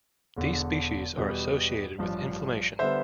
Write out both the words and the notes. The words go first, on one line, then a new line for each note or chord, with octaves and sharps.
These species are associated with inflammation.
E1 E2 D3
E2 B2 G3 B3
A1 G2 F3
D3 G3 B3 C5 E5